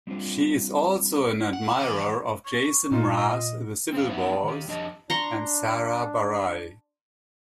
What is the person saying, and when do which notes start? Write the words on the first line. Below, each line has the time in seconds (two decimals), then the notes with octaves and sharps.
She is also an admirer of Jason Mraz, The Civil Wars, and Sara Bareilles.
0.07 G3 C4 D4 F4 C5
1.53 F#5
1.80 E3
2.45 C#6
2.92 A#2 D#4 F4
3.16 D#5
3.92 C4 C5 F5
4.09 B3 D#4 C5 E5 F#5
4.44 D#3 G4
4.68 F2 D4 G4 D#5 A5
5.10 D4 A#5 C6 C#6